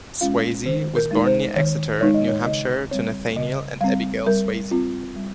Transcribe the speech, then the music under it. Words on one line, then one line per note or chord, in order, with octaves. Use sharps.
Swasey was born near Exeter, New Hampshire to Nathaniel and Abigail Swasey.
G#3 C#4 F4 F5
D#3 C5
A#4
G#3 D#4
C5
D#3 C#5
G#3 D#4 C#5
D#5
C#5
C#3 D#5
G3 C4 C#5
C#3 D#5
G3 C4 F5
G3 A#4
C4 F4
G3